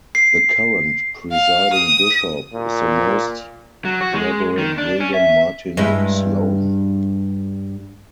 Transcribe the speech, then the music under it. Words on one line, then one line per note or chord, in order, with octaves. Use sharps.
The current presiding bishop is the Most Reverend William Martin Sloane.
C7
F5
D#6
A#2
F#3
F#4
G#3
D#3
D4
C#4
E5
G2 G#3 E4